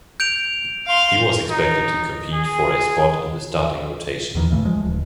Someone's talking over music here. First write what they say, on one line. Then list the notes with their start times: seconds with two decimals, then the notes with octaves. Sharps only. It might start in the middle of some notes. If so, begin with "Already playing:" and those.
He was expected to compete for a spot in the starting rotation.
0.20 G6 D7 F7
0.87 F5 C6
1.50 D#4
2.33 G#4
4.35 E2 D#3 E3
4.51 C#2 G2 C#3 A3
4.65 F3 G#3
4.84 D1 C#2